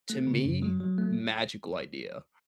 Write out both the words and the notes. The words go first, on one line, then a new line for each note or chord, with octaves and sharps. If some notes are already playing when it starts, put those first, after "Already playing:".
to me, magical idea,
A3
C#3
F#2
F#3
F#3
A3